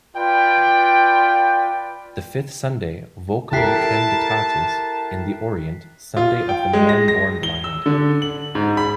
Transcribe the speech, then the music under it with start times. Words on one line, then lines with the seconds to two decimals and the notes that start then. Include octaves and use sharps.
The fifth Sunday, "Vocem jucunditatis" in the Orient, Sunday of the Man Born Blind.
0.16 F4 B4 D5 G5
3.53 E4 G4 A4 A#4 A5 F#6 B6 C7
6.17 F4
6.49 G5
6.73 G#3
6.89 A#6
7.08 A#6
7.43 G7
7.64 E6
7.86 D3
8.22 F#7
8.55 G#2
8.77 B5